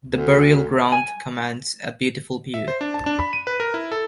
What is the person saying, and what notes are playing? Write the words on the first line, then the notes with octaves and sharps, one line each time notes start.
That burial-ground commands a beautiful view.
D2
G#5
E5
C5
D4
A5
D4
B5
D#7
B4
A#4
E4
A4